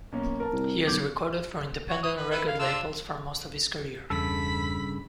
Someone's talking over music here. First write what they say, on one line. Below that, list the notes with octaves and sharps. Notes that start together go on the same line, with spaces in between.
He has recorded for independent record labels for most of his career.
B1 A#3 C#4
A#4 A5
C2
B1 D6 G6 G#6
F#4 C#5
D#6
B4
E4 B4
F5
D4 F4 E6
E2 G2 C#3 E3 A4 B5 B6